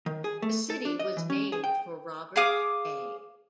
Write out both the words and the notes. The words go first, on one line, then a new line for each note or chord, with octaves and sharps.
The city was named for Robert A.
D#3
G#4
A3
A4
D4
D#5
E3
C#4
G#4
G5
G#4 F5 D6 D#6